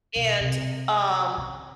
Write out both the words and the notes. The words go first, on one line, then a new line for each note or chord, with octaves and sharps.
and, um,
B2
C3
C#3